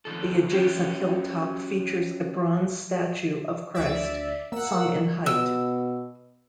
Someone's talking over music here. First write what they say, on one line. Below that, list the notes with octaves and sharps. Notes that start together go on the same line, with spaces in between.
The adjacent hilltop features a bronze statue of Christ, some in height.
F2 A2 D#3 A4
F#3 C#4 G4
D2 D5 E5
A#3 F#5 E6
B2 E6